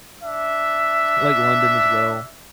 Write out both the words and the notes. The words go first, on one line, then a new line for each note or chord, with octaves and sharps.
I like London as well.
D4 E5